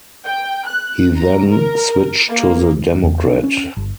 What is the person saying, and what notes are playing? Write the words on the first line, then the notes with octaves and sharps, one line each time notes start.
He then switch to the Democrat.
G5
F#6
A#5
A#4
A#3
E2
D4
C#4
G1